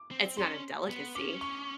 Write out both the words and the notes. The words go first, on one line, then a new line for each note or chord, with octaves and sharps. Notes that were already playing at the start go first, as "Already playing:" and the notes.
it's not a delicacy.
Already playing: D6
C4
C#4 C6
B3
C#4 D6
C#6